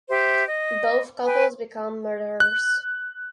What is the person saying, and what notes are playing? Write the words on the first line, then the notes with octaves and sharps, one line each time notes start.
Both couples become murderers.
G4 C5 E5
D#5
B4 G5 G#5
F#6